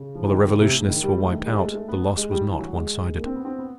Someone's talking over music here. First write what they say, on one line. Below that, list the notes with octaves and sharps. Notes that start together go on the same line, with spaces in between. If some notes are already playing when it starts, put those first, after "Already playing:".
While the revolutionists were wiped out, the loss was not one-sided.
Already playing: C#3
F3
E3
D#3
C#3
C3
A2
C#3
D#3
G3
A3
D#3
G#3
A3
G#3
A3
B3
G#3
G3
E3
F#3
G#3
A#3
C4
B3
C4
B3